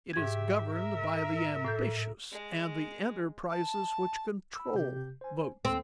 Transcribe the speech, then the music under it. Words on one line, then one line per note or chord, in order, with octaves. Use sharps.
It is governed by the ambitions and the enterprises which control votes.
G#2 G4 E5 G#6
A#4 E5
A2 A4 G6
G#3
A5
B5 E6
C3 G4 G6
C5 G#5
D#2 C4 A4